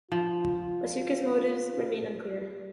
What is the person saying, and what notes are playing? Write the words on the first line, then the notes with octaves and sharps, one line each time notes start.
Matuska's motives remain unclear.
F3 F4